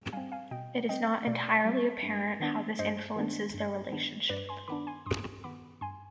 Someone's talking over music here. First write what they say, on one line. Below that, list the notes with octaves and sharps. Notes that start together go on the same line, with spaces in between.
It is not entirely apparent how this influences their relationship.
G3 C4 F5 G#5
F5 G#5
B2 D#5 G5
G3 C4 D#5 G5
B2 D5 F5
G3 C4
G2
D#3 B3 D4
G2 C5 D#5
D#3 B3 D4
G2
D#3 B3 D4
G2 B4 D5
G#5 C6
D#3 B3 D4 B5 D6
G#5 C6
G2 C6 D#6
D#3 B3 B5 D6
G2 G#5 C6